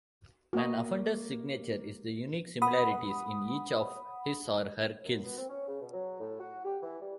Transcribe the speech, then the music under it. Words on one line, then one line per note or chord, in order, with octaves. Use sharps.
An offender's signature is the unique similarities in each of his or her kills.
A#3 F#4 D#5
F#5 B5 D#6
F#2
B3
C4
C#4
C#3
B2
F#3
A2
F#4
G4
E3
G3